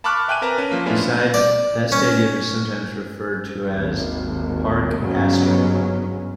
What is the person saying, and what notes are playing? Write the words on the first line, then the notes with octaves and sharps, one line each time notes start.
Besides, that stadium is sometimes referred to as "Parc Astrid".
A5 B5 C#6 D6 F6 F#6
E5 G5 G#5 F#6 D#7
C4 A#4 B4 A5 A#5
C#4
F3 A#3
A3 B3 C#4 D4 E4 F4
D5
C#4
G#1 D#2
G1 G#2 C#3 F#3 B3 C#4